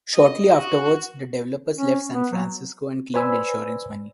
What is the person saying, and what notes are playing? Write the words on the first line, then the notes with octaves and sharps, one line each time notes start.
Shortly afterwards, the developers left San Francisco and claimed insurance money.
D#5
F#4
C#4
B3
F#3
B4 C5 D5 G#5 B5 E6